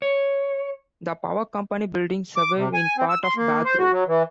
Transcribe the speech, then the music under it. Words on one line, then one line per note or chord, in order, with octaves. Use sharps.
The Power Company buildings survive in part on Bath Road.
C#5
D6
C3
G#5
C4
E6
C6
A#3
C5
F#4
F#3
E3